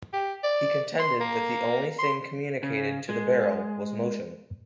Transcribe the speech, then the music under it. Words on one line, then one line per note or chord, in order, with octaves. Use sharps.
He contended that the only thing communicated to the barrel was motion.
G4
D5
C6
A#3
C6
C#3
G#3